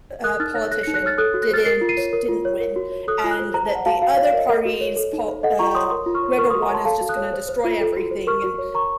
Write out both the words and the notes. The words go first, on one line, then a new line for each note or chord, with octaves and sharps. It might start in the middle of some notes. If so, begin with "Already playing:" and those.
u uh, politician didn't didn't win and that the other parties pol uh, whoever won is just gonna destroy everything, and
A#4 D#6 F#6
D#4 F6 A6
C#5 F#6 A#6
A4 F#6 A#6
D#4 A#6 C#7
F#6 A#6
C#5 F6 A6
A4 D#6 F#6
F#4
F#6 A#6
C5 F6 A6
A#4 A6 C7
F4
C7 D#7
C#5
A#4
F4
C#5
A#4
F#4
C#5
A4 D#6 F#6
F4 F6
D#6 F#6
C5
C5 A#5
C5 A5
F#5
F#4 F5 A5
F#4 F5
F5
C#5
F5
A#4 D#5
A#4
F#4
C#5
A4
D#4
C5
A4 D#5 F#5
F4 A#5 C#6
C#5 C6 D#6
A#4 C6 D#6
F4
C#6 F6
C#5
A#4 C#6 F6
F#4 C6 D#6
F#5 A#5
C#5 A5 C6
A4 F5 A5
F#4
D#6 F#6
C#5
C5
C5
F4
A4
F#4
C5
A#4 C#6 F6
F#4
C#5
A#4 A#5 C#6